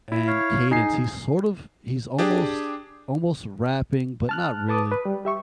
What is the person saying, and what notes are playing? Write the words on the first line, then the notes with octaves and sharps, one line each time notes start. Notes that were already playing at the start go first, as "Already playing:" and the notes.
and cadence, he's sort of he's almost almost rapping, but not really.
E4
C#5 F5
D#4 G#4 G#5 C7
D4 G4 G#4
A5 F6 F#6
B4 A5 D6 D#6
B4
G3
G4 E5 C#6